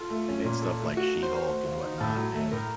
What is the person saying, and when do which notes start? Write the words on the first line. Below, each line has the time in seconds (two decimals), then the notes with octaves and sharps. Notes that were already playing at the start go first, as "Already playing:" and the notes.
they made stuff like She-Hulk and whatnot, and
Already playing: F4 A4
0.10 A3
0.28 C#4
0.45 A#2
0.62 A4
0.80 A3
0.96 F#4 F5
1.13 D#4
1.23 C5
1.31 A#4
1.48 A3
1.65 F5
1.82 D#4
2.00 A2 A4
2.17 F#3
2.34 A3
2.51 A2 A#4